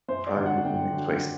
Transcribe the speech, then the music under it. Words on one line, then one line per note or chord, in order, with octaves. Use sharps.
Probably be my next place.
F#2 C5
D5
D3 F#3
F#5
F#2 G5
D3 F#3